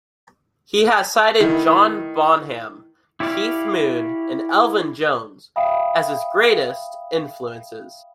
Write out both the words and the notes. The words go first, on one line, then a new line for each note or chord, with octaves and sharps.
He has cited John Bonham, Keith Moon, and Elvin Jones as his greatest influences.
D#3 E4
E4 G4 C#5 D5 F5
E5 F5 G5 B5 D#6